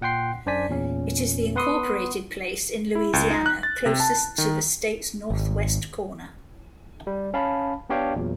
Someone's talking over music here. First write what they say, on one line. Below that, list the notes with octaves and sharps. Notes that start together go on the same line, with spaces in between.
It is the incorporated place in Louisiana closest to the state's northwest corner.
A#2 F#5 G5 C6 C7
F#2 D4 C5 D5 G#5 B6
E2 A#2 C#4
B3 B4 F#5 C6 D#6
E4
C#2
D#4
F#6
A6
C3
A5
D#3
G#1
G3
C#4 F5 A5 B5
B3 D4 G4 C#5 F5 G5
E2 A#2 F#3